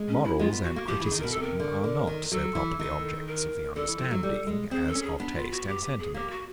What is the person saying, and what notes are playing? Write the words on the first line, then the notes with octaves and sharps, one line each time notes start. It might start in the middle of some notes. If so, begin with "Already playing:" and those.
Morals and criticism are not so properly objects of the understanding as of taste and sentiment.
Already playing: G#3
C#4
E4
G#3 F4
B3
F#4
A#3
F3 G4
E3
G#4
D#3
B2 A#4
A4
C3
A#4
D3
D3
D#3
F#3 A4
E3
D#3
A#4
D3 A4
E3
F3
F#3
G3
G#3
C4 G#4
A4
C#4
G#4
B3 D4
F4
F#4
G4
G4
G#4
A#3 G4
F#4